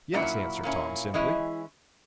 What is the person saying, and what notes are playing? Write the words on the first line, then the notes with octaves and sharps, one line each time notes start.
"Yes," answered Tom, simply.
A#2 F#3 A#3 C#4 E4
A#2 A#3 C#4 E4
E3 G#3 C#4 E4 D#5